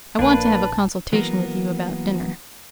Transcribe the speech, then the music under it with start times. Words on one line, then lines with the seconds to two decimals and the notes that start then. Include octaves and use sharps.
I want to have a consultation with you about dinner.'
0.19 A#1 F3 A#3 D4 B4 A5
1.12 E3 F#3 A#3 B3 A#4